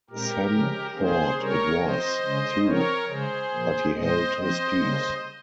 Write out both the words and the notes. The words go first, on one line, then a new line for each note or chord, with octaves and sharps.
Sam thought it was, too, but he held his peace.
A#2 G#3 C4 G4 A#4
C#3 F3 G#3 C#4
D#3 A#3 C#4 G#4 C5
C3 G3 C#4 A#4 C#5
F3 C4 C5 D#5
C#3 G#3 C#4
F3 C4 A#4 C#5
C#3 G#3 C#4 G#4 C5
A#2 F3 A#3
A#2 G#3 C4 C5 D#5
F3 C4 C5 D#5
C#3 G3 A#3 C#4